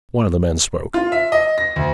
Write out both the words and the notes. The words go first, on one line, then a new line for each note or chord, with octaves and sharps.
One of the men spoke.
F4
E5
D#5
A#6
D2